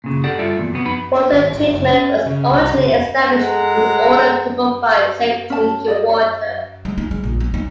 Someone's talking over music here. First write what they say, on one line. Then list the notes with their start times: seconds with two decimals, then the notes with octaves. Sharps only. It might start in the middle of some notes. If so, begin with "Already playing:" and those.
Water treatment was originally established in order to provide safe drinking water.
0.04 A#2 C#3
0.24 G4 A4 D5 F#5
0.39 G2 F4 A4 D5 E5
0.59 E2 A#2
0.73 F2 B2 B3
0.85 B3 D#4 B5
1.32 G#1
1.54 G#1
1.73 F#1
1.89 C#4
2.26 C#3
2.50 C2
2.73 C#3
2.85 E1
3.27 G#3 A4 F#5 A#5
5.50 C#4 A5
5.88 D5 D#5
6.09 C#5
6.85 G#3
6.98 D#4
7.11 G#3
7.24 A#1
7.40 C4
7.54 D#4